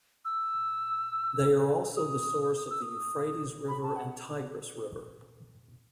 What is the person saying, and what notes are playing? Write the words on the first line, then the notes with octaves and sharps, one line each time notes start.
They are also the source of the Euphrates River and Tigris River.
E6
D#6
E6
D#6
B5
A5
F#5